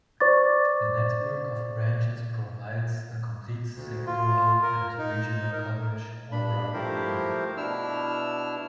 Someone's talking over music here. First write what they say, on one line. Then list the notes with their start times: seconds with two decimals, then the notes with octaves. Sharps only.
The network of branches provides a complete sectoral and regional coverage, all around Romania.
0.20 C5 D5 C#6 D6 A6
3.75 D2
4.06 F4
4.63 A#4
4.99 D#4
5.53 A#4
6.32 G2 D4 B5
6.73 F3 A3 E4 G4 A#4 C5
7.57 B2 D4 E4 E6 F6